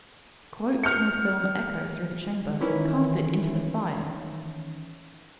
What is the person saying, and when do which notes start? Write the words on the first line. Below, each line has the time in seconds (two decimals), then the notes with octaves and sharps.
Quotes from the film echo through the chamber: Cast it into the fire!
0.83 F6 G6 C#7
2.60 D#3 E3 C#4 E4